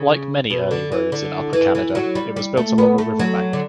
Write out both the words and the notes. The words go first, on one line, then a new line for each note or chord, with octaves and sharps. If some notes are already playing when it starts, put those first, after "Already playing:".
Like many early roads in Upper Canada, it was built along a river bank.
Already playing: C#3
B2
D3
E3
D3
E3
E3
F#3
G3
G3
A3
B3
A3
F#3
D3